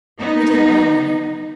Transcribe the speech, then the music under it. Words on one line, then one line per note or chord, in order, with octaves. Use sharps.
"We didn't have any."
B3 D#4